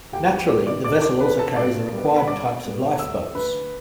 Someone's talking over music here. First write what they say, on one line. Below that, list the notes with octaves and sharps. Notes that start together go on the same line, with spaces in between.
Naturally the vessel also carries the required types of life boats.
D2 G4 G5
G4 G5
D3 B3 D5 D6
D5 D6
D2 D5 D6
D5 D6
D3 B3 B4 B5
A4 A5
G2 D5 D6
G3 B3
B5
G2 D5 D6
G3 B3
D2 E5 E6
D3 A3 B4 B5